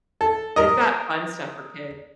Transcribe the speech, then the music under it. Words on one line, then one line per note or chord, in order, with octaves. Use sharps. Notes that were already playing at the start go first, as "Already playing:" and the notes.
They've got fun stuff for kid
A4
A#4 D#5